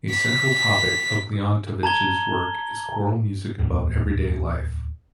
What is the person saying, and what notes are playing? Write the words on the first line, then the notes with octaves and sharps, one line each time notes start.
A central topic of Leontovych's work is choral music about everyday life.
B6
A5 A#5 G#6 G7
D1 G1 E2